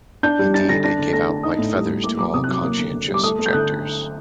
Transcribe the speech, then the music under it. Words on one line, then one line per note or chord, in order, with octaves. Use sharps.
Indeed, it gave out white feathers to all conscientious objectors.
D4 G6
G3
D4 A6
D3 A#6
D4 A#6
D3
A3 A#6
D4
D#4 D#6
A2
G3
A2
A#3 D6
F#3 D6
C3 D#6
F#6
F#3
D6
A#3
D3
D3
G3
D6
A3 D#6
A3
G6
D3 F#6